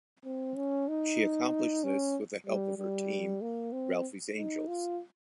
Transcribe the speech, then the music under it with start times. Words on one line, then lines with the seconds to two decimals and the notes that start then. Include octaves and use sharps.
She accomplished this with the help of her team, "Ralphie's Angels".
0.25 C4
0.57 C#4
0.88 D#4
1.84 C#4
2.47 G3
2.78 G3
3.42 A#3
3.72 C4
4.36 D#4
4.68 F4